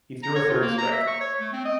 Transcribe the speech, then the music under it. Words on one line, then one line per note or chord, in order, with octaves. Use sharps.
He threw a third strike.
A#5
C#5
F4
A#3
A#5
E5
C#6
C#5
A3
C4
D#5